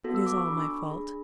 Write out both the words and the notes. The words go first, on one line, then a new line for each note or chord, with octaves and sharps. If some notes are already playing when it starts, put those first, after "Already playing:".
It is all my fault.
B3 F#4 A4
E6
D6
C#6
D4 A4 B5
D4 G#4